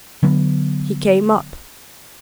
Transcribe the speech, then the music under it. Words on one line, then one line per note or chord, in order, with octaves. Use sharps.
He came up.
D3 F#3 B3